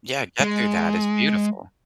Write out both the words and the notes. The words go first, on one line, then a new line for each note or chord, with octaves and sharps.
Yeah, get through that is beautiful.
G#3